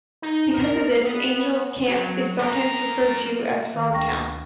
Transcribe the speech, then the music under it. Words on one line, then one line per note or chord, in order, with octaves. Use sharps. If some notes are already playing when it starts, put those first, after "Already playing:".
Because of this, Angels Camp is sometimes referred to as Frogtown.
D#4
A#4
B3
F#3
F#2 A#4
D#3
D2 G5 C#6 A#6